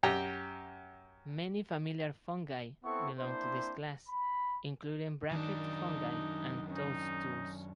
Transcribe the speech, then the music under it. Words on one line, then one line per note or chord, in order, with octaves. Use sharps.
Many familiar fungi belong to this class, including bracket fungi and toadstools.
F#2 G4 G5 A#5
B3 C4 E4 A4 F#5 C#6
A#3 C4 D4 E4 C5
B5
F#2 D#3 D4 D#4
C#4 D#4